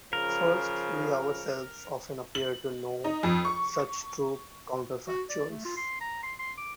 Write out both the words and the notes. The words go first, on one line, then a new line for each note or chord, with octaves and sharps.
First, we ourselves often appear to know such true counterfactuals.
C#3 F3 A#4
F#7
D#4
F2
C#6
F#4
D5
A3
F4
C6
A#5
C6
C6
D6